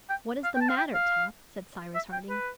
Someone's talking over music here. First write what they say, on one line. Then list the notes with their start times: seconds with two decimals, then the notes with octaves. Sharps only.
"What is the matter, Top?" said Cyrus Harding.
0.10 G5
0.44 F5
0.56 G5
0.61 A5
0.69 F5
0.77 G5
0.94 F5
1.95 E5
2.12 G5
2.29 B4